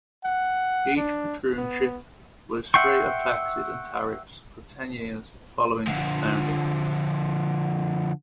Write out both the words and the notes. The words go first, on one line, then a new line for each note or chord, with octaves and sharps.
Each patroonship was free of taxes and tariffs for ten years following its founding.
F#5
D4
B3
E5 F#5 G5 C6 C#6
D3 F3